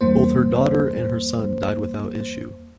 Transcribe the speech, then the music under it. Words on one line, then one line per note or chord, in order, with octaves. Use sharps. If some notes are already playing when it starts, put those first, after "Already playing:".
Both her daughter and son died without issue.
E2 G2 A#3 C5